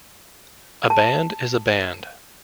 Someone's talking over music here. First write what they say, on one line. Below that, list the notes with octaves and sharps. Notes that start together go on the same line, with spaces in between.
A band is a band.
A5